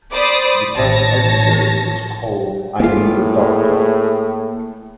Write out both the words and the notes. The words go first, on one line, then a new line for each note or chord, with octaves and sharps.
The first episode was called I Need a Doctor!
C5 D5 B5 D6 D#6
A1 D#3 E3 C#5 A5 A#6
A2 E3 A#3 F4 G#4